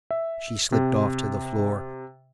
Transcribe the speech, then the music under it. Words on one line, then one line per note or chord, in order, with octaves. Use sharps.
She slipped off to the floor.
E5
C3